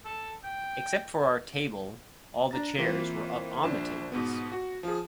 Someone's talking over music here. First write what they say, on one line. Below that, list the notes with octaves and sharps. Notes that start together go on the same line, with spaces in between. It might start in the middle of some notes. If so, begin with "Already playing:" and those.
Except for our table all the chairs were up on the tables.
A4
G5
D4 A#5 A6
E3 A#3 C4 F4 B4 C5
A#1 D4 C5 E7
G#2 B2 B3
F#4
F3 G#4